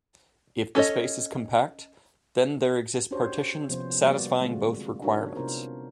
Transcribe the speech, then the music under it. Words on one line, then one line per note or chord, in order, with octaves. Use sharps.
If the space is compact, then there exist partitions satisfying both requirements.
C#4 A4 C#5 D#5
C#4 D4 F#4 G4 C5 C#5
C3 F3 B3 C#4 C5
G3 A#3 B3 F#4 B4 D5
D3 G#3 A3 C4 F4 F#4
D4 D#4 F#4 A#4 C#5
C3 B3 D4 F4 A#4 C5